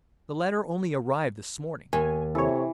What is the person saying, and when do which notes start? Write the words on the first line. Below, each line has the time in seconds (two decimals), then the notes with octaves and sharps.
The letter only arrived this morning.
1.93 D#2 G#5
2.35 C3 E3 A4 C#5